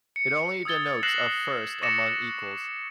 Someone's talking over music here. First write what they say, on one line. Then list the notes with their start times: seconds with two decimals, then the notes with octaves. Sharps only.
It only denotes a first among equals.
0.16 C#7
0.65 D#6 E6 G#6 A6 G7
1.03 E6 F#6 A#6 C7 E7 F#7
1.82 C#6 D6 A6 A#6 C#7 E7